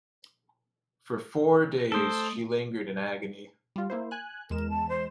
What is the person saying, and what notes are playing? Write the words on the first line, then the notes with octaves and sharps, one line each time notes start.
For four days she lingered in agony.
A3 A4 C5 D#6 D7
G3 F4
A#3 E4 C5
G#5 F#6
E2 G#3 A#4 E7
A5
C5